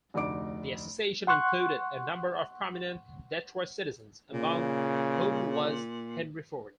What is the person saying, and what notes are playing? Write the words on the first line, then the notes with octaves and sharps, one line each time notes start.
The Association included a number of prominent Detroit citizens, among whom was Henry Ford.
F1 D2 D#4 D5 D6 D7
F#5 C6 C#6 F#6
A#2 C#3